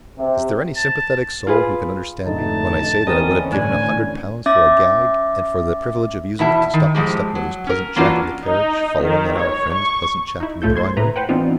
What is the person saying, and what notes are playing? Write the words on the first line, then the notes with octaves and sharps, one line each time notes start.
Is there any sympathetic soul who can understand me, when I say that I would have given a hundred pounds for a gag, and for the privilege of using it to stop my stepmother's pleasant chat in the carriage, following on our friends' pleasant chat in the drawing-room?
C3
A5
F4 G#4 B4
F1 G#2 D3 A3 D#4 A5
D3 E3 C4 C#4 A#4 D#5 D#6
A2 D4 G#5
C#4 E5 D6 A6
E2 B2 E4 E5 A5
D#3
A2 F3 G#3 G4
F#3
C#4 A#4
E3 A#3 C#4 D4 F4 F#4
D#4
D#3
C#5
C#6
D#4 E4
C2 A2 A3 F4 A4 G6
C5 C6 G#6
A2 B4 A#5
B4 C5 F#5 G5
E3 B3 C4 D4 D#4 F4